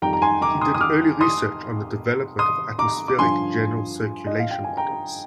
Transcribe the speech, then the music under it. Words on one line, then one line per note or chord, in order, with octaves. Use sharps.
He did early research on the development of atmospheric general circulation models.
F2 D#3 G3 G5 A#5
A#5
G#5 C6
A#5 D6
C6 D#6
D#6
D6 F6
C6 D#6
C6 D#6
A#5 D6
D6
G2 D3 F3 G#5 C6
D#5
F5
G5
G#5
G5 A#5